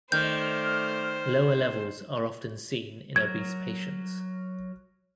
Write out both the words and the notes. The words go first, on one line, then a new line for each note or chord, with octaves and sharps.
Lower levels are often seen in obese patients.
D#3 A3 C5 D5 F6 G6
F#3 A#4 G#6